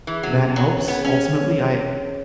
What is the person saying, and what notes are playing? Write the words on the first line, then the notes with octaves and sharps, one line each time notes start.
that helps ultimately. I
E3 G#4
F#3 C#4
C#4
F#3 C#5
C#4
B3 G#4
C#4 C#5
C#5